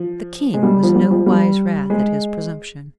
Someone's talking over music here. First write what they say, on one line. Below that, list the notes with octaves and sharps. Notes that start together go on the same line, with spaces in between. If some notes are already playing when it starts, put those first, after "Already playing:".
The King was no wise wrath at his presumption.
Already playing: F3
G#3
G3
F3
G3
F3
G3
G#3